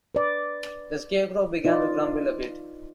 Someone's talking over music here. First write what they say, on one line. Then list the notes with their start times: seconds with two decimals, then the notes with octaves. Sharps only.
The Scarecrow began to grumble a bit.
0.15 B4 D5
1.65 D#4 F4 B4 D5